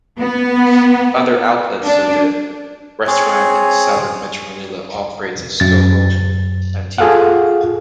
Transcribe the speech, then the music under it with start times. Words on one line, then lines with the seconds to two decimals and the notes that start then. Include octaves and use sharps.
Other outlets of the restaurant in southern Metro Manila operates as Toho Antigua.
0.19 B3
1.85 D4
3.07 C4 G#4 C#5
5.60 F#2 A6
6.98 F4 G#4 A4 F5 F#5